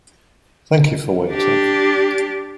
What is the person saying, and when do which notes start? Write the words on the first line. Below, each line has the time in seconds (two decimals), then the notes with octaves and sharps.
Thank you for waiting.
1.31 D4 G4